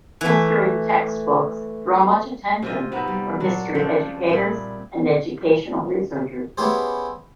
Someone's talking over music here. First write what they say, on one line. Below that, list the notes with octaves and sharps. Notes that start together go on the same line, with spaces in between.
History textbooks draw much attention from history educators and educational researchers.
E3 A3
C3 F4 D#5
C3 B3 D#4
G3
A#2 F#3 D4
C#3 F3 C4 D4
A#2 G3 E4 G#4
B3 C#4 E4 G4 G#4 C5